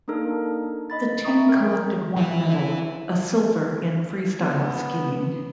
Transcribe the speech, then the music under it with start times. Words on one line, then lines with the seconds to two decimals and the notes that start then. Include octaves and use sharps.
The team collected one medal, a silver in Freestyle Skiing.
0.08 A#3 D4 D#4 A4 A#4
0.90 D#5 B5 A6
1.25 E5 G5 A#5 B5 C#6 D#6
1.49 A#4
2.17 E3 E4
4.40 B3